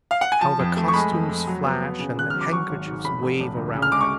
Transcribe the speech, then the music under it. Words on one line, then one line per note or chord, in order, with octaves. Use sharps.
How the costumes flash and the handkerchiefs wave around her!
F5
F#5
G#5
F3 A5
F2
A3
C#6
G#3 B5
F2
F2
F#3
B3
B3
C#3
G#1 F#6
F#3 F6
D6
F#3 C#6
G#1
G#2
F1 B5
F1
F1
D2
C#3
F6
G#3 D6
C#6